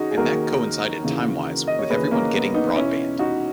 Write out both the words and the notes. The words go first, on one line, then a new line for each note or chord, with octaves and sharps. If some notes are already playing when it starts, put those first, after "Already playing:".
And that coincided time-wise with everyone getting broadband.
Already playing: D#3 C#4 D#4 F#4 G#4
G#4
D#2 D#3 F#4 A#4
D#2 C#3 E3
D#5
C#5
D#2 C#3 E3 G#4 B4
A#3 C#4
B3
B3 D#4
E2 B2 C#4 E4
D#4 F#4